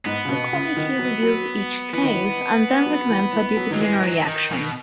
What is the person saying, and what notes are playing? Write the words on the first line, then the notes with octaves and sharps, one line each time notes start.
The Committee reviews each case and then recommends a disciplinary action.
G#2 B3
C#3
B2
C#3
D#3
F#3
F#3
E3 B3
D#3
E3
F#3
E3
E3
F#3
D#3 F#3
E3 G#3
F#3
D#3
B2